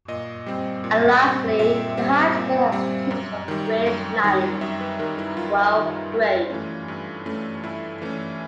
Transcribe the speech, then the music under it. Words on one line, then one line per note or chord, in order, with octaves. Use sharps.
And lastly the high school has teens from grades ninth to twelfth grade.
A#2 D#5
G3 C4
A#2
G3 C4
A#2 E5
G3 C4
A#2
G3 C4
F#2
D#3 G3
F#2
D#3 G3
F#2 E5
B4
D#3 G3 A#4
E4
F#2 F4
D#3 G3
G2
E3 A3 C#4
G2
E3 A3 C#4
G2 E4
E3 A3 C#4